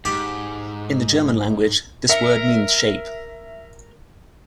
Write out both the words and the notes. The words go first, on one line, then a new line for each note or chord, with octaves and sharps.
In the German language, this word means "shape".
G#2 G4 A5 B5
A#4 E5 C#7